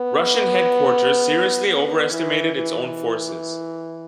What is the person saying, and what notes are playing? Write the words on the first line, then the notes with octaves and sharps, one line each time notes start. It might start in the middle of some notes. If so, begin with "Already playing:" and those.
Russian headquarters seriously overestimated its own forces.
Already playing: B3
B3
E3
E3